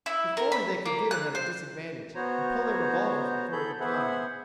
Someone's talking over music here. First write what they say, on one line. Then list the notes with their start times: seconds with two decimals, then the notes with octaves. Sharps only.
If only they could get him at a disadvantage, and pull their revolvers before he could fire.
0.06 E4
0.37 A#4
0.52 B5
0.86 A#3
1.11 F#6
1.35 C5
2.14 B3 F#4 C5 C#5 A#5
3.52 G#4 A4 B5 G6
3.80 B3 G#4 C5 E5 F#5 B5